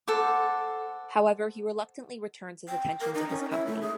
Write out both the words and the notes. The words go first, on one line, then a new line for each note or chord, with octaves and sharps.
However, he reluctantly returns his attention to his company.
A4 C5 F#5 D6
G5
A#4
D#4
C#4
E4
A3
G#4